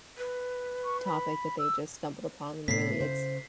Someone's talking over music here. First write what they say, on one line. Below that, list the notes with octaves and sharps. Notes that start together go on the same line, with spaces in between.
topic that they just stumbled upon when really it's
B4
C#6
B5
E6
A2 C3 A3 B3 B6 C7
C#3 C5